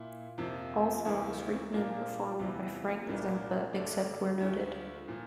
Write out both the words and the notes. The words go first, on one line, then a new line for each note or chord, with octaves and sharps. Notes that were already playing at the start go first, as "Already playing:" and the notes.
All songs written and performed by Frank Zappa, except where noted.
Already playing: A#2 E4
F2 C3 F3 A#3
D2 C3 E3 A#3
A#2 F3 A#3 D4
E2 C3 F3
C2 A#2 F3 A#3 D4
G2 D3 A3 D4
D2 D3 F3 A3
A#2 F3